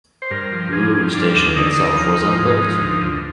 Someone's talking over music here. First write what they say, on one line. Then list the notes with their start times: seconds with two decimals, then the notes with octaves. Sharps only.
Looe station itself was unbuilt.
0.22 C5
0.31 G2 A#4
0.52 F3
0.73 F3 G#4
0.94 G2
1.14 F3 D4
1.34 D#2
1.56 D3 D#4
1.77 D#2
1.97 F3
2.18 F3
2.39 G#2
2.60 F3
2.81 D2
3.01 D2